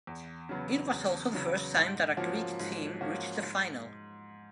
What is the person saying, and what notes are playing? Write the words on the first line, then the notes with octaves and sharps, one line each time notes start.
It was also the first time that a Greek team reached the final.
E2
C#3 F#3 B3
E2
C#3 F#3 B3
G#2
F3 A#3 C#4 F#4
G#2
F3 A#3 C#4 F#4
G#2